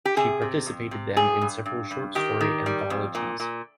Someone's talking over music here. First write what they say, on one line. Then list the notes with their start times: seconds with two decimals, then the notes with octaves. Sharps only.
She participated then in several short story anthologies.
0.05 G4
0.16 C3 G#4
0.42 C3
0.66 F2
0.91 C3
1.17 G2 G#4
1.41 G2
1.66 G2
1.91 G2
2.15 D#3 G4
2.41 D#3
2.66 G3
2.90 F2
3.15 A#2
3.40 A#2